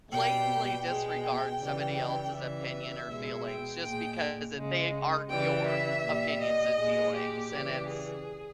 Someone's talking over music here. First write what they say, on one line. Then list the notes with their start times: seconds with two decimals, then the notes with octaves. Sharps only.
blatantly disregard somebody else's opinion or feelings, just because it they aren't your f opinions and feelings, and it's
0.12 B2 G3 G5
0.85 B2 G#3 G5
1.60 C#3 E3 G3
2.33 C#3 E3 G3 E5
3.08 B2 G#3
3.45 G5
3.81 A#2 G#3 G5
4.55 C#3 G#3
5.30 C#3 E3 G3 G5
5.66 E5
6.03 A#2 G3
6.41 D#5
6.78 A#2 G#3
7.14 G4
7.51 C#3 E3 G3
7.88 G#4